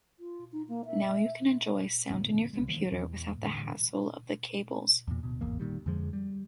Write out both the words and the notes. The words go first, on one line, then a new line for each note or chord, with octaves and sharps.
Now you can enjoy sound in your computer without the hassle of the cables.
F4
D#4
A#3
E5
E1 A2 D3 B3
C2 C#3 G#3
D#3 E3 G3 A#3
E2
A2 D3 E3 G3
E2 A#2
D1 B2
D1 G#1 E2 A#3
A#2 D#3 G3
F2 D3 F3 G#3
G3